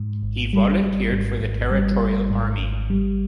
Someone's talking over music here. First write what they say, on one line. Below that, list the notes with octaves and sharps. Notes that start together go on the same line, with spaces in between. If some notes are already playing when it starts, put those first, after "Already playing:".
He volunteered for the Territorial Army.
Already playing: G#2
G#1
G3
G#1
G#2
G#1
G3
G#1
G#2
G#1
G3